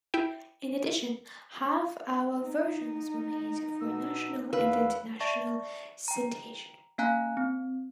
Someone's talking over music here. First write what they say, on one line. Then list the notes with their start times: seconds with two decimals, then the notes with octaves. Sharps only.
In addition, half-hour versions were made for national and international syndication.
0.14 E4 G5
2.43 D#4
3.81 B2 E6
4.53 E2 B4 F5 E6
5.20 D5 E5 A5 C#6 A6 A#6
6.08 G5 A#5
6.98 A#3 C#4 F5 G#5 A#5 F#6
7.37 C4